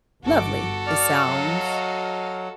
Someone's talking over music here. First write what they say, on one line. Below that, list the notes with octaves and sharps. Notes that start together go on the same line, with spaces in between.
lovely, it sounds
G1 F#4 A4 D6
D5 F6
F#3 D#5 F5